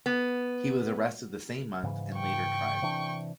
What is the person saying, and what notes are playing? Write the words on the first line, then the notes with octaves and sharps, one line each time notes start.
He was arrested the same month and later tried.
B3
G#2 C#3 E3
G5 C#6
C3 E3 D4